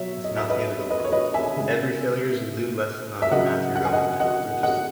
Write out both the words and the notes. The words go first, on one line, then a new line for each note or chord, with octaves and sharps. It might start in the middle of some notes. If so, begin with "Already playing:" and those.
it's not the end of the world. Every failure is a new lesson on the path you're going down. They're just
Already playing: B2 F#3 C#5 E5
D#5
E5
B4 D#5
B4 D#5
C#5
B4 D#5
E5 G#5
C#3 G#3
E5
C#3 F#3 D#5 F#5
F#5
G#5
D#5 F#5
D#5 F#5
D#5 F#5